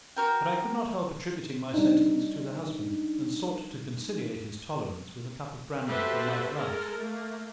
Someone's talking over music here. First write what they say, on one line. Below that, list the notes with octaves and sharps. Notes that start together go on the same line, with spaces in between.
But I could not help attributing my sentiments to the husband, and sought to conciliate his tolerance with a cup of brandy from my flask.
F#4 A#4 G5
G3 D4 D#4
F#4 G4 A4 B4 C5 E5
G#3 A4 A#4
A3 A#3